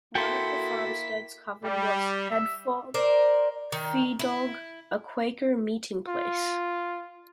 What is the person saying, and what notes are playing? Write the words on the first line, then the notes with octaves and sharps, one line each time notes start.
One of the farmsteads covered was Hafod Fadog, a Quaker meeting place.
A#3 E4 F#4 A4 G5 C6 B6
G3
E5
A#4 C5 D5
D#3
E4
F4